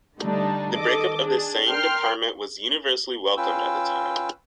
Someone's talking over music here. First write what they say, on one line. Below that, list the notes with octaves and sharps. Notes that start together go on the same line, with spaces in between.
The breakup of the Seine department was universally welcomed at the time.
D3 G3 A3 D4 D#4
D#3 A4 D#5 D6
D4 G#4
A#4 G5 C6 F6
C#4 F4 B4 G5 E6